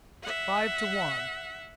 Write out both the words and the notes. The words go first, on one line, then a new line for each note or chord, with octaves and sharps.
Five to one!
E5 F#5